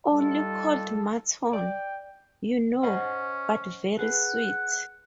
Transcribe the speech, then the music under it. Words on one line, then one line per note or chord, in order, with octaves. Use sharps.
Only cold mutton, you know, but very sweet.
G3 D#4 F4 A4
D5 G5
C#4 C5 D#5 F#5
G#4 B4 F#5